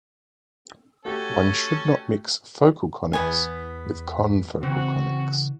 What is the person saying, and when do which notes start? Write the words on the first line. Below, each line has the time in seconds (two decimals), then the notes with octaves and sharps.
One should not mix focal conics with confocal conics.
1.05 A3 C#4 F#4 G4 A4
3.13 E2 B3 G#5 B6
4.63 C#3 E3 C4 F#4